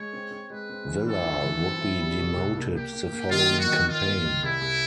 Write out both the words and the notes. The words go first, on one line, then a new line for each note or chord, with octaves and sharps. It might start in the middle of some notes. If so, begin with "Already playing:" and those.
Villa would be demoted the following campaign.
Already playing: G#3 C#5
C4
C4
G#3 B4
C4
E3
C4 A4
E4
E3
C4
E4
G3
B2
C2
A#3
A#3 G4
A#3
A#3
D#3 F4
A#3
F#4
D#3
D#3 F4
A#3
D#3
C2 E4
C2